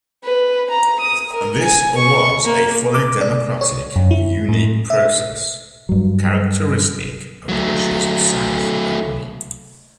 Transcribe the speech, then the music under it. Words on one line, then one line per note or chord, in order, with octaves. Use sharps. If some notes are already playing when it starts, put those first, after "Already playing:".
This was a fully democratic, unique process, characteristic of Russia's South only.
B4
A#5
D#6
A#4
G#5
C#6
A#3
D6
D5
C#5
F#2
E4
A2
E5
G2 F#3
F#3 A3